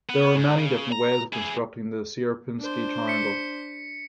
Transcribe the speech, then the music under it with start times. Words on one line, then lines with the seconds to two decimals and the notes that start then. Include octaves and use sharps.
There are many different ways of constructing the Sierpinski triangle.
0.09 B3
0.36 G#2
0.54 C#3
0.92 A#5
1.33 E4 G#4
2.60 D4 C5
3.08 B6 C#7